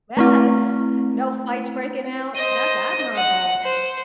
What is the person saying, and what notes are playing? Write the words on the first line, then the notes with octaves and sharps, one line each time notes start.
Yes. No fights breaking out? That's admirable.
A3 C4 E4
C5 D#5
F#5
C5